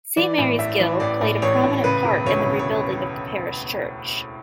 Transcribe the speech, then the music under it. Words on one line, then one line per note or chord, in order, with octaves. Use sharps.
Saint Mary's Guild played a prominent part in the rebuilding of the parish church.
E3 D5
A2
A1 E5
E3
A1 D5
A2
A1 C#5
A2
C#3 B4
E1
D2 C#5
C#3
C#5